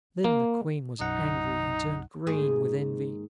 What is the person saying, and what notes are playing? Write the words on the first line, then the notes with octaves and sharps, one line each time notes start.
Then the Queen was angry, and turned green with envy.
A#3
B1 F#2 D#4 F#5
D#2 G#2 G#4